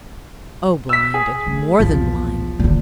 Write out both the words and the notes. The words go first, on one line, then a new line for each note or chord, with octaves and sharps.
O Blind, and more than blind!
E6 B6
G#4
A3
B1 E2 F3
A#2 D3